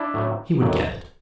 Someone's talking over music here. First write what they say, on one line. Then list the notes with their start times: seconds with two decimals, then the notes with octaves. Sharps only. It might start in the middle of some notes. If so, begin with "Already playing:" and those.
He would get it.
Already playing: D4 E4
0.14 A2 F#3 A3
0.62 D#2 D3 F#3 A3